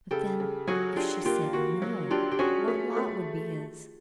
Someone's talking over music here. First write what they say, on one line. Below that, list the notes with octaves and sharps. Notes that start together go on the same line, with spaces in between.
But then, if she said "no," what lot would be his?
C#3 G4 A4
C#3
F#3 F#4 G#4
D4 F4 G4
A#3 F4 G4
A#3 F#4
F#3
D4 F4 G4
G4
C#4 F#4 G#4
A3
A3